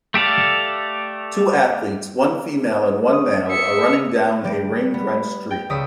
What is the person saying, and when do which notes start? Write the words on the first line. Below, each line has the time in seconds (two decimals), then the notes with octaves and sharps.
Two athletes, one female and one male are running down a rain drenched street.
0.14 A3 G4 A4 D5 F5
3.13 C#5 D#6
3.48 E5 C#7
4.45 G3 D5 D7
4.94 B3
5.51 G5
5.70 C#2 D5 D#6 E6 B6